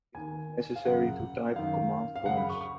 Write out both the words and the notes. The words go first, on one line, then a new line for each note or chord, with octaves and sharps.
It is not necessary to type command prompts.
D#2 D#3 G#5
F5
F#2 C#3 F#5
F#2 D#3 F5
F5
F#2 C#3 F#5
B5
C#6
C#6